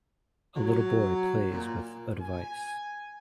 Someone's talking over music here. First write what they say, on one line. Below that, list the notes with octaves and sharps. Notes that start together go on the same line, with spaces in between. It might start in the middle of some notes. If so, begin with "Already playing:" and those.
A little boy plays with a device.
F#3
A#2
G#5